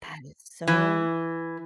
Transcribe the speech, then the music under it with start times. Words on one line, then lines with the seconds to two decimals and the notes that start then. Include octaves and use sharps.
That is so
0.68 E3